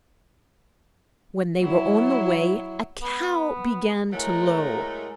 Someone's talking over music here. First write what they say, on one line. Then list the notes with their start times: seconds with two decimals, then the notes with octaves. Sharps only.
When they were on the way, a cow began to low.
1.61 F#3 E4
3.02 B3
4.11 A2 F#3 G#3 A3 A#4 A#5